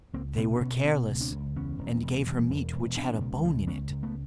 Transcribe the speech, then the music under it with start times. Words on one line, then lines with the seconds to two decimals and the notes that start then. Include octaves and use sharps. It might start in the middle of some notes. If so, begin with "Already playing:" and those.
They were careless, and gave her meat which had a bone in it.
0.14 C#2 A#3 C4
0.37 B2 B3 C#4
0.56 D4
0.61 B2 B3 C#4
0.84 B2 C4 D4
1.09 C#2
1.20 C4 D4
1.32 C#2
1.56 E2 B3 C#4
1.79 E1
2.02 E1
2.27 E1
2.50 E1
2.73 E1
2.97 B2 C4 D4
3.20 C#2
3.44 C#2
3.67 C#2 B3 C#4
3.91 C#2
4.03 A3 B3